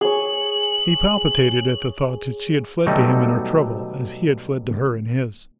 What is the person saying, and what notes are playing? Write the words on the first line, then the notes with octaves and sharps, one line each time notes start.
He palpitated at the thought that she had fled to him in her trouble as he had fled to her in his.
G#4 C#5 F#7
B2 F#3 G3 A3 D#4 F#4